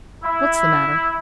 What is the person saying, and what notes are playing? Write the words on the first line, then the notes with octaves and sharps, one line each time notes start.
"What's the matter?"
E4